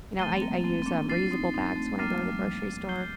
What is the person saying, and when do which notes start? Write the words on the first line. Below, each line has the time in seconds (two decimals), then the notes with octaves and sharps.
you know, I I use, um, reusable bags when I go to the grocery store
0.19 F3 A3 A6 D#7 G7
0.35 C4
0.41 G3 A#3
0.64 A3 C4
0.82 C4
0.86 A#3 D4
1.08 D4 F4 A6 C7 D#7
1.31 C4 D#4
1.54 C4 D#4
1.76 A3 C4
1.98 G3 A#3 D6 F6 A6 C7 D#7
2.13 F3 A3
2.29 G3
2.89 G6 C7 G7